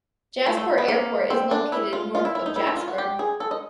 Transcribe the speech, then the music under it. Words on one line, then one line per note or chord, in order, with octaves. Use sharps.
Jasper Airport is located north of Jasper.
A3
A3
B3
A#3
C4
D4
E4
F4
F4
E4
E4
D#4
E4
E4
F4
F#4
G4
G#4
A4
D#5